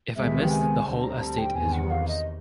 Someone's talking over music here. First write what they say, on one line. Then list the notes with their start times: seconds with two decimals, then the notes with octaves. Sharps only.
If I miss, the whole estate is yours.
0.16 C#2 C3 D#3 G#3 B3 E5
0.43 G5
0.50 G#5
0.85 D2 D3 G3 C4 A5
1.03 A#5
1.20 A5
1.38 G5
1.55 E2 C3 D#3 G#5
1.73 F#5
1.91 F5
2.08 D#5